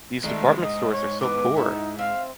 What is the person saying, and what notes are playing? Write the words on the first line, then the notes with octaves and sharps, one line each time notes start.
These department stores are so poor!
D#3 G#3 A3 D#4
G#2 D#5
C#5
E3 B3 B4 D6
D#4 E4 E5 F#5
C4 E5 F5